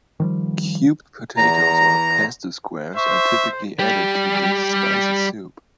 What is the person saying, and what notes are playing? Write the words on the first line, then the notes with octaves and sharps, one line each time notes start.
Cubed potatoes or pasta squares are typically added to this spicy soup.
D#3 F3 G3
E2 A#5
C5 E5 C#6
G3 G4